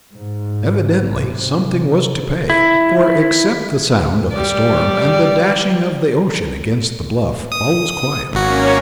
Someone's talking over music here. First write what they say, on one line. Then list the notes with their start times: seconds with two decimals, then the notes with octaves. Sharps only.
Evidently something was to pay, for, except the sound of the storm and the dashing of the ocean against the bluff, all was quiet.
0.13 G#2
1.19 C3
2.50 E4
4.32 G3 D5
7.52 D#6
8.33 G#1 A#3 C#4 F#4 C#5